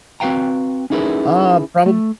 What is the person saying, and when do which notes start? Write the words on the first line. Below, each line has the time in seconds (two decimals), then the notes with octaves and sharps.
Uh, probab
0.20 C4 F#4 B4 F5 G5 A#5
0.90 C#4 D#4 E4 G#4 A#4 B4
1.86 A3